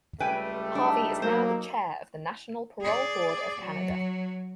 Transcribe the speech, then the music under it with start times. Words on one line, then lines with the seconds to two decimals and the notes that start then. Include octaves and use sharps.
Harvey is now the Chair of the National Parole Board of Canada.
0.20 C#2 G3 A3 B4 G5 G#5
0.75 D4 D#4 A4
1.22 F#3 A#3 C5
2.81 G#4 D5
3.60 F#3